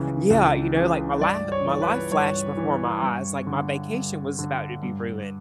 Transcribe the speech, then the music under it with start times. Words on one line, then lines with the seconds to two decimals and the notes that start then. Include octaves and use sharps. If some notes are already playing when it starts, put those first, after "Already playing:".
yeah, you know, like, my li my life flashed before my eyes, like, my vacation was about to be ruined,
Already playing: C#2 C#3 E3
0.30 C#2
0.75 C#3 E3
1.21 G2 D5
1.52 C#5
1.66 E3
1.82 B4
2.11 G2 C#5
2.57 E3
3.03 G2
3.47 D3
3.93 G2
4.39 D3
4.83 G2